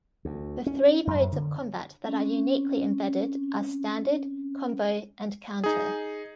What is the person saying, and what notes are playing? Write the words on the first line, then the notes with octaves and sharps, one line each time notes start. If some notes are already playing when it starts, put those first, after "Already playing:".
The three modes of combat that are uniquely embedded are "standard", "combo" and "counter".
D2
C#4
F#2
D3
C4 C#4
D#4 G#4